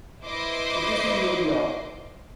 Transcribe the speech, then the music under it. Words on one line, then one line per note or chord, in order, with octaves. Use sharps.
It is in area.
E4 B4 C5 D#5 C6 D6